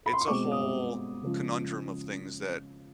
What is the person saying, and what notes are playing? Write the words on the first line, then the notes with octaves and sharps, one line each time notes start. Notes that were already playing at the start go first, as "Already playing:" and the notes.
it's a whole conundrum of things that
B5
C6
C#6
B2 G#3 C4 D6
D#6
C#3 F3 G#3 C#4